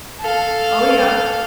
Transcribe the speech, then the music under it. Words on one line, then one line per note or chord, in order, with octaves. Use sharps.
Oh, yeah.
A4 F5